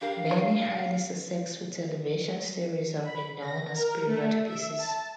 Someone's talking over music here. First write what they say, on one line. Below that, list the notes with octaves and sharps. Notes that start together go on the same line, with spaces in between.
Many highly successful television series have been known as period pieces.
D4 G4 A#4 F5
C#5
B5
A#6
A#4
A3
E5
A5